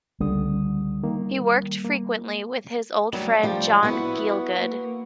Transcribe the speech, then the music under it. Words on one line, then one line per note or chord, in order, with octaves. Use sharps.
He worked frequently with his old friend John Gielgud.
C#2 D3 G3 D#6
D#3 A#3
A#3
F#3 G3 A3
F3 G3
B3 E4 F#4
A#3